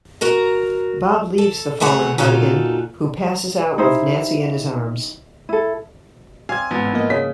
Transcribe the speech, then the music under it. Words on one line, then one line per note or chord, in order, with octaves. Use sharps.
Bob leaves the fallen Hartigan, who passes out with Nancy in his arms.
F#4 A#4 A#5
A4
D2 E3 A3 G#4 C#5 F#5
A#2 D#4 F4 F#4 A4
D#4 E4 G4 C5
E4 A4
C4 D5 F5 G#5 G#6
A1 G#2 B3
F3 A#3 D#5
C#3 B6